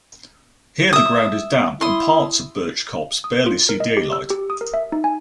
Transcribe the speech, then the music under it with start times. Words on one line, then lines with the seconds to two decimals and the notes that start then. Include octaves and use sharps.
Here the ground is damp and parts of Birch Copse barely see daylight.
0.93 E5 D#6
1.81 E4 C6 D#6
3.24 D#6
3.46 F4
3.69 A#4
3.80 D#5
3.97 G4
4.12 E6
4.30 G4
4.50 D#6
4.61 A#4
4.74 E5
4.92 D#4
5.04 G#5